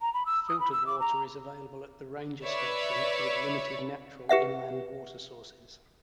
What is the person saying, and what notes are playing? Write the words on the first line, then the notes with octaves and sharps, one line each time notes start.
Filtered water is available at the ranger station, with limited natural inland water sources.
A#5
B5
E6
D#6
B5
E6
D6
A#5
B4 C#5 D5 E5
G4 B4 E5 F#5